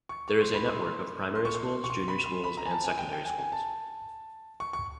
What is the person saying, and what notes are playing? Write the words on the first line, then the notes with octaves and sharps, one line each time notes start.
There is a network of primary schools, junior schools and secondary schools.
C#6
C#6
C6
B5
C6
C6
C#6
C6
C#6
C6
B5
C6
B5
A#5
G#5
A5
G#5
G5
G5
G#5
G#5
A5
C#6
C#6